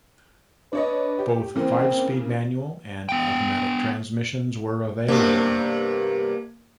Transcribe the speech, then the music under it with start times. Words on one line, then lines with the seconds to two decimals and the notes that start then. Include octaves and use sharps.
Both five-speed manual and automatic transmissions were available.
0.73 D4 B4 C#5 D#5
1.19 G4
1.56 C#3 E3 A#3 C4
3.09 B3 G5
5.08 G2 C3 A#3 B3